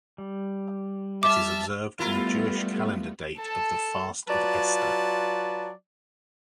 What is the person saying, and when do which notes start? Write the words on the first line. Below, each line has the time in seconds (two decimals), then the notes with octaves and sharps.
It is observed on the Jewish calendar date of the Fast of Esther.
0.18 G3
1.23 E5 A5 D6 F6
1.99 G3 A3 B3 E4 F4 A#4
3.38 A4 A5
4.28 F#3 F4 B4 D5 A5